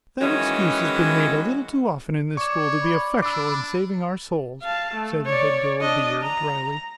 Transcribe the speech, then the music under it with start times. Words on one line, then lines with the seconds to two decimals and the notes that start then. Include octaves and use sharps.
"That excuse has been made a little too often in this school to be effectual in saving our souls," said the head girl of the year, drily.
0.21 D#3 E3 F#3 G#3 C#4 E4
2.37 C#5 D5 C#6 E7
2.81 B5
3.22 D4 D6 E6
4.62 F5 A5
4.94 A3
5.25 C#5 D5
5.81 D4 D#5
6.23 A#5